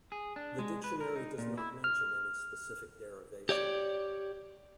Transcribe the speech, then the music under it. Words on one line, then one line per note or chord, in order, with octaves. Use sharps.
The dictionary does not mention any specific derivation.
G#4
D4
G#3
B4
A#4
D#4
A#2
E4
F6
G4 C#5 D5